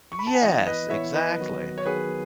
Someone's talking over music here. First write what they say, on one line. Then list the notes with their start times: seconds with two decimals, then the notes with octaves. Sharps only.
Yes, exactly.
0.12 C#6
0.19 B5
0.27 A5
0.35 G#5
0.42 E3 B3 E4 D#5 F#5
0.66 B4 D#5
0.90 E3 B3 E4 C#5 E5
1.14 B4 D#5
1.38 D#3 F#3 B3 F#4
1.78 C#5
1.86 D#3 F#3 B3 F#4 G#4 B4